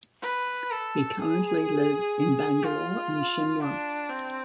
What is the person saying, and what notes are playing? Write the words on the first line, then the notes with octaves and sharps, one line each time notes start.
He currently lives in Bangalore and Shimla.
B4
A4
G#4
F4
D4
C4